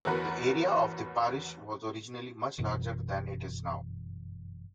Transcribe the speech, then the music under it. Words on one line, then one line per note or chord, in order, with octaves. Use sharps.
The area of the parish was originally much larger than it is now.
A1 E2 F#4 A#4 B4
G1 F#2 B2 E3